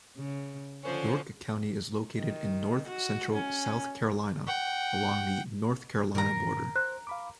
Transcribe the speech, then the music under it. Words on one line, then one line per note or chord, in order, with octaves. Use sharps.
York County is located in north central South Carolina, along the North Carolina border.
C#3
D3 F3 C#4 C5
D#3
F#4
C#4
F#5 G5
G2 A#2 D#3 A#4 A#5
C5 F#6
F5 B5 D6